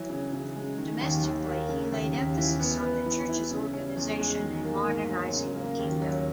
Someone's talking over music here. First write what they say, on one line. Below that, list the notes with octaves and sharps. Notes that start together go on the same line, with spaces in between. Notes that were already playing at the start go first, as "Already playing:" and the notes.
Domestically he laid emphasis on the church's organization and modernizing the kingdom.
Already playing: E3 F#3
C#3
C#3
G#3
D#3
D#2
D#2
A#3
C#3
D#2
D#2
E3
B3
B4
E3
E4
C#3
C#4
E2
G#3
D#3
A#3
G#2
F#3
C#3
A#3
D#2
F#3